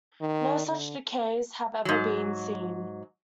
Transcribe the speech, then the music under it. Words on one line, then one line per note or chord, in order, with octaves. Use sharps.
No such decays have ever been seen.
D#3
D3
G#2 F#3